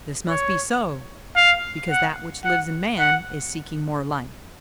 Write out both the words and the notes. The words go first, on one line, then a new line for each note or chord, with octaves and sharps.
This must be so, because That which lives in man is seeking more life.
C#5
F5
F#5
F#5
F#5